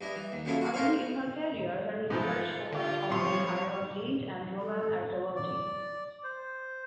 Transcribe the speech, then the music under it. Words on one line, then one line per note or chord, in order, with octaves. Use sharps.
Early in her career her research focused on the Iron Age and Roman Archaeology.
G2 E4 D#5
E3
D#2
F#2 C#3 E4 F4 A4 D#6
F#4 G#4
A2 F4 A#4 C5 C#5 F5
G#2 E3 F3 F4 A4
D3 F4 G4
A2 C3 F3 C#5 C6
A4
D5
C5